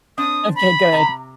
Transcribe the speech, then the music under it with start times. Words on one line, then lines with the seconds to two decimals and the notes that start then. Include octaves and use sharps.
Okay, good.
0.18 C4 D4 D#6
0.55 B5
0.92 C3 A#5